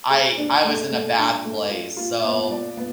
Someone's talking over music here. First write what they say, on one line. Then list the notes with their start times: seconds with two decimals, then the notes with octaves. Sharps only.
I I was in a bad place, so,
0.10 G#4
0.38 D4
0.64 A3
0.90 A3
1.18 D4
1.44 A3
1.70 F4
1.97 F4
2.25 B3
2.51 D5
2.77 B3